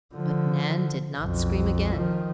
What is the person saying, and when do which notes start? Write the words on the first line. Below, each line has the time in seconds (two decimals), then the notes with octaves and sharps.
But Nan did not scream again.
0.15 D3 F3
1.19 B1 F2
1.94 D#3 F3